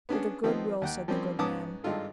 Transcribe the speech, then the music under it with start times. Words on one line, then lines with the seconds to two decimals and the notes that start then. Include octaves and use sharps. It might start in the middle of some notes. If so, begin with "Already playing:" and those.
With a good will, said the good man.
0.09 B3 C#4 D4 G#4
0.44 D#3 F3 B3 C4 D#4
0.82 D#2 F#5 G5
1.08 F3 G3 A#3 C4 C#4
1.39 G#2 B3 C#4 A5 D6 D#6
1.84 G#1 G2 G#3 D#4 F4 A4